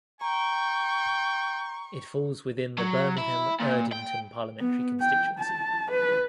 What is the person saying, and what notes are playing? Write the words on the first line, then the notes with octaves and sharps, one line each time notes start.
It falls within the Birmingham Erdington parliamentary constituency.
G5 A#5 C#6
F#3
E4
A#2
G5
B3
G5
A5
B4